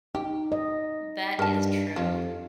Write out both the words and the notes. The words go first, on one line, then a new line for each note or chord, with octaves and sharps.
That is true,
D#4 G4
D#5
G2 A#4 A5
F2 F3